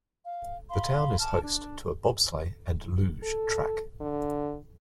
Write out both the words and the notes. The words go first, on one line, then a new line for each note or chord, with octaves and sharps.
The town is host to a bobsleigh and luge track.
F5
F5 B5 C6
A5 D6 F6
D4
A4
D3